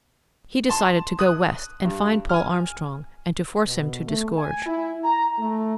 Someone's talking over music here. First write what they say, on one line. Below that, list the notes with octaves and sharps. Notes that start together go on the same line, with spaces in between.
He decided to go west and find Paul Armstrong, and to force him to disgorge.
A5 C6
D#6 F#6 D#7
G2
G#5 F6
B2
A3
G#5
E4
A#5
A3